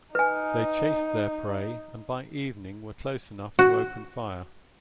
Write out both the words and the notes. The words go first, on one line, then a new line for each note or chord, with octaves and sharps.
They chased their prey and by evening were close enough to open fire.
D#4 B4 G#5
F#4